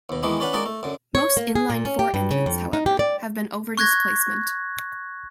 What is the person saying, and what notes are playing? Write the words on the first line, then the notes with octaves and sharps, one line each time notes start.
Most inline-four engines, however, have been over displacement.
D#2 B2
D#3 E3 G#3 A#3 B3
C#4 D4 B4 F5 F#5
G#3 A#3 D#4 F#4 A#4 D5
A3
F#2 D3
C#5
A#3
G#4
A#2
C#4
G4
G2
C#3
F2
D#4
G4
D5
C#6 F#6 G#6 A#6